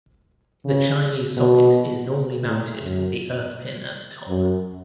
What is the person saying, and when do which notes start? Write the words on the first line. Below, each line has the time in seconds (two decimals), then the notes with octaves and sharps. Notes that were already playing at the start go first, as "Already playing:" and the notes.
The Chinese socket is normally mounted with the earth pin at the top.
0.65 C#3
1.37 B2
2.46 A2
2.83 F#2
4.28 F#2